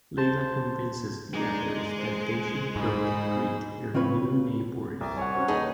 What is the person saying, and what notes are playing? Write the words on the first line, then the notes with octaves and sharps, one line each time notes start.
Leela convinces the others that they should go to greet their new neighbors.
C5 A5
G#3 D4 D#4
C5
G#2 D#4 G#4 C5 B5
C#3 C4 F4 B4 C#5
C2
C#5 F#5 G#5
C4 C#4 F#4
D#2 D#4 G#4 B4 A5